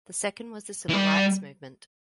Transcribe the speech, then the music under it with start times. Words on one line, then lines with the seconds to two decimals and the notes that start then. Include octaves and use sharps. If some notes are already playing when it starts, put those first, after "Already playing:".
The second was the civil rights movement.
0.89 E3
0.93 G3